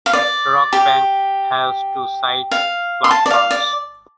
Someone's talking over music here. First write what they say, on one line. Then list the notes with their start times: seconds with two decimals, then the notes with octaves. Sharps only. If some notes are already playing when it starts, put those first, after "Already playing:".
Rockbank has two side platforms.
0.06 F5
0.13 D5
0.73 G4
2.51 F5
3.04 C6
3.11 A5
3.26 D5
3.31 F5
3.51 D5